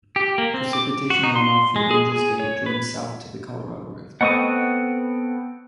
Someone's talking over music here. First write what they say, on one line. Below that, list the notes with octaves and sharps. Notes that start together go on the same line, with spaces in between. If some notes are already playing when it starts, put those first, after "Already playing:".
Precipitation runoff from Angels Gate drains south to the Colorado River.
G4
A#3
C4
D6
F#4
D#4
C6
G#3
G#4
G#4
C#5
B4
A3 B3 C4 A4 D#5 F#5 C#6 D#6